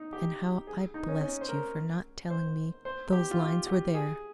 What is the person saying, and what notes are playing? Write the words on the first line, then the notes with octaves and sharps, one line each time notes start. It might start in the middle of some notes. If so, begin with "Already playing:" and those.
And how I blessed you for not TELLING me those lines were there!
Already playing: D#4
G4
G#4
D#4
C#4
C#4
C5
A#4
C5
C5
G4
F4
G4
G4
G#4